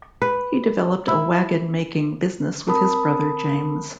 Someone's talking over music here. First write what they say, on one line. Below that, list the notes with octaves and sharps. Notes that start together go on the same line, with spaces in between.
He developed a wagon-making business with his brother James.
B4
E4
C4 A#4 A5 B5 D#6